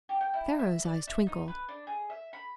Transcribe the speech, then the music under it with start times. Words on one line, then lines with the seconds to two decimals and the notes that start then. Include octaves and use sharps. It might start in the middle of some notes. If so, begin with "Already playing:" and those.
Pharaoh's eyes twinkled.
0.09 G4
0.21 G5
0.34 E4
0.59 E5
0.85 D5
1.07 E5
1.27 D#4
1.48 B4
1.68 D4
1.87 G#4
2.10 E5
2.33 B5